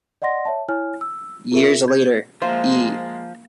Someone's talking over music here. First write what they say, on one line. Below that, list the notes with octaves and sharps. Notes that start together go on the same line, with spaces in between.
Years later, E!
D5 D#5 F#5 C6 A#6
C#5 E5 A5
E4 C#5 G#5 F6
E6
F4 G4 G#4 A#4 E5
G6 G#6
F3 G#3 A#3 F#4 C5 E5 F5